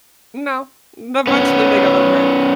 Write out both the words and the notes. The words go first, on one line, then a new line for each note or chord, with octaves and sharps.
No, eventually they got over it.
B3 C#4